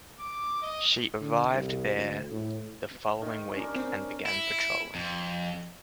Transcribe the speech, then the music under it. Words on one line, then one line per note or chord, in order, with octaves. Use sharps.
She arrived there the following week and began patrolling.
D6
D#5
D3
C2
D2
A2
D#3
C#4 D4 A#4
C4
E4
F2